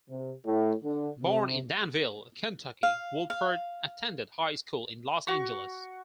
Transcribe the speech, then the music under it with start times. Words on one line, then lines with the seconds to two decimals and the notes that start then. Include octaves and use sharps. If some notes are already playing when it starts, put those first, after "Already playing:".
Born in Danville, Kentucky, Woolpert attended high school in Los Angeles.
0.10 C3
0.46 A2
0.84 D3
1.24 C3
2.83 F5
3.30 F5
5.27 F#4 C#6